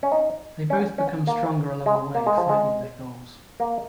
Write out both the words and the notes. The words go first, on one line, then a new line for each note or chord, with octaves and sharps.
They both become stronger along the way, finding their goals.
C#4
D#4
C#4
C#4
A#3
G#3
A#3
G#3
F3
G#3
A#3